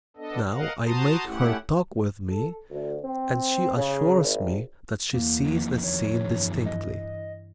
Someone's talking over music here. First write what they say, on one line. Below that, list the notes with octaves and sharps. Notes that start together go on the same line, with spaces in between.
Now I make her talk with me and she assures me that she sees the scene distinctly.
B3 D4 A4 D#5
A#4 D#5 F5 F#5
F#4 C5 A5 A#5 C6 D#6
A3 C#4 E4 G4 F#5
A4
D2
C4
C#3
G#1
E2 A#3
F2 D#3
C#5
G2 E3
D#5